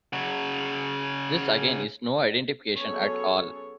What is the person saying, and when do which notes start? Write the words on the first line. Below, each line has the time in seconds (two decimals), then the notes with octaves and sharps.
This, again, is no identification at all.
0.13 C#3 F#4
2.73 F#3 B3 C#4 G#4 A4 C#5